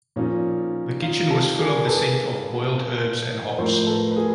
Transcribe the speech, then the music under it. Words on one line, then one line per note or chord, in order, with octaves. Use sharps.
The kitchen was full of the scent of boiled herbs and hops.
A#2 F3 C#4 D#4
D#4 F4
G4 A4
G#4 A#4
A4 B4
A2 F3 A#4 C5
A4 B4
B4
G#4 A#4